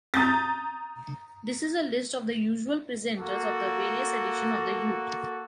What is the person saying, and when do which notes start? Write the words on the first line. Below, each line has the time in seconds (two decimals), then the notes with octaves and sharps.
This is a list of the usual presenters of the various edition of the Heute.
0.14 A#5 D#6 G6 A6
3.18 A#3 F#4 A4